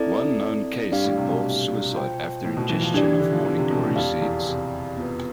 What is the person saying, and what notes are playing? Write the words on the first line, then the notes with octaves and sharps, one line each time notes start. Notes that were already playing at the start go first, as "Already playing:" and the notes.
One known case involves suicide after ingestion of morning glory seeds.
Already playing: C4 E4 A4 D5
G2 D4 G4 D5 F5
A2
C3
B2
F4 C5 G5
A2
B2
E3
F3
E3 D4 G4 D5
E3
D3
F3
E3
C3
B2
A2
F2 G4 D5 F5 A5
E2
C3
B3 F4 B4